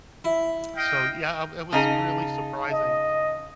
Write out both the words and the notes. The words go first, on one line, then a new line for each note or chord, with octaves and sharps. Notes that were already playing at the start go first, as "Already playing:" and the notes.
so, yeah, w it was really surprising
E4
D#5 F5 G5
C#3 D#4 G#4 A5
D#5